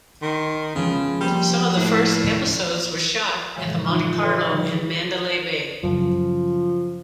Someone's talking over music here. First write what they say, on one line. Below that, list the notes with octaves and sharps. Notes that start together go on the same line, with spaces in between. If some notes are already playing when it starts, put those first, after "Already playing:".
Some of the first episodes were shot at the Monte Carlo and Mandalay Bay.
D#3 C6
C#3 F3 G#3 B3
G3 A#3 C5
A2
F#2 A2 C#3 E3 F3 G#3
G#3 D#4 F4 E5 F6
G#4 A4 B4 C#5 E5 C6
D3 D#3 F3 G3 D#4
F#2 C#3 F3